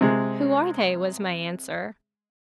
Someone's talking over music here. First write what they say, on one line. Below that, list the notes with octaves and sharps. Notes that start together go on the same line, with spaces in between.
"Who are they?" was my answer.
C3 G#3